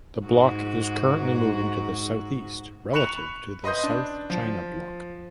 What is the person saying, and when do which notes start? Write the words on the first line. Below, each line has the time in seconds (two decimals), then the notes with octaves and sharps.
The block is currently moving to the southeast relative to the South China block.
0.24 G#2 F#4
2.93 B5 C#6 F#6 C#7 E7 F7
3.64 B4 D#5 C6 D#6 G6
3.83 D4
4.30 F3